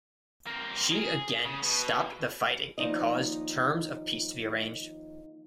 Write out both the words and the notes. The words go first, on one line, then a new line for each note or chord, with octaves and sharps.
She again stopped the fighting and caused terms of peace to be arranged.
A#3 C4
G#4
C#3
B2
D#2 F3 B3 D#4 D5 D#5